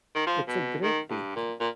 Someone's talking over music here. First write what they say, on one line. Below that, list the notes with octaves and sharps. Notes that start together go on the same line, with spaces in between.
It's a great take.
D#3
F3
B2
D#3
G2
A#2
A#2